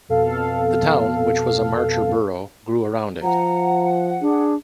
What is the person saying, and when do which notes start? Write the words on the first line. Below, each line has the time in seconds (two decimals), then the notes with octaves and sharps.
The town, which was a Marcher Borough, grew around it.
0.08 F2 B2 A4 F5
3.23 F3 F#5 A#5
4.21 D4 G#4